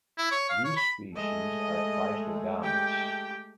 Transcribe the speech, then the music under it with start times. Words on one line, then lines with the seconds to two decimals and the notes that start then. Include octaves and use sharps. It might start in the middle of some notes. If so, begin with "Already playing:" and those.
These species are cleistogamous.
0.18 E4
0.32 C#5
0.50 F5
0.65 C#5
0.77 B5
1.16 G#3 A3 D#5
2.62 G4 G5